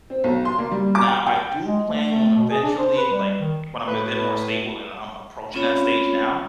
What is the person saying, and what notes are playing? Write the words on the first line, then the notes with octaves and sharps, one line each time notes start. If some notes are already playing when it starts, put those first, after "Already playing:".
Now, I do plan on eventually, like, when I'm a bit more stable, and I'm approaching that stage now,
C4
B1
C6
A#3
G3
D6
G5
G5
G#3
A3
A3
B2
G#4
D4
C5
B4
G3
D#3
A2 B4
C4 C#4 F4 C#5 B5